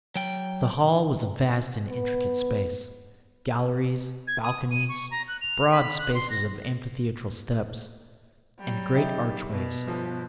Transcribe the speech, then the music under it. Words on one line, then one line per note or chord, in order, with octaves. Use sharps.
The hall was a vast and intricate space--galleries, balconies, broad spaces of amphitheatral steps, and great archways.
F#3 G5
B3
G#6
D#6
D#7
C#6
A#5
F#6
F7
B5
F#6
C6
A#6
F#3 G3
D#4 G4 E5
B2
G1 F3